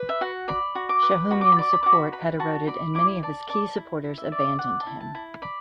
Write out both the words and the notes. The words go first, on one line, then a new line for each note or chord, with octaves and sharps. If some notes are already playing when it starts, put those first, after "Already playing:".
Shahumyan's support had eroded and many of his key supporters abandoned him.
Already playing: B4
E5
F#4 F#5
D5 B5
F#4
D6
B4
F#4 B5
D6
B5
D5 D6
B5
F#4 D6
B5
B4 B5
F#4 A5
D5 B5
E4 D6
D5 A5
D5 A5
E4
E4
E5
D5
D5 F#5
A5
E4
A5
E4
D5 B5